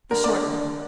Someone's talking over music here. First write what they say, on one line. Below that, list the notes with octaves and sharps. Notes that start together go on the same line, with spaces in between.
"The short one."
D3 A#4
D3 D5